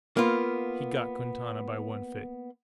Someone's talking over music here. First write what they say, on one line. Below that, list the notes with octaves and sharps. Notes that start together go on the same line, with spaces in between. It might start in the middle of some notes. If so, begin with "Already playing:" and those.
He got Quintana by one foot.
A#3 B3 F4